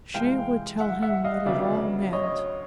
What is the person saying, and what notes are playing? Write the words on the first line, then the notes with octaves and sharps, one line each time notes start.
She would tell him what it all meant.
C2 C3 E3 G#3 C4 F5 G5
E5 F#5
E5 F#5
D#5 F5
D2 C#3 F#3 B3 D5 E5
C#5 D#5